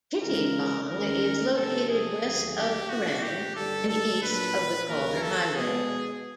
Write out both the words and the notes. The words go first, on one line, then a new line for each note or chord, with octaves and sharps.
Tittybong is located west of Kerang and east of the Calder Highway.
C#3 E3 G#3 C#4 A#4
D#2 D#3 G#3 C#4 A#4
C3 F3 A3 D4 A4
G#4
D#2 D3 F#3 A3 C4
G4
A#2 G3 A#3 C#4 E4 F#4
G4
G2 D3 G3 A4
A4
A#2 F#3 A#3 D4 B4
D#2 D3 F#3 A#3 A#4
A4
B2 G#3 B3 G#4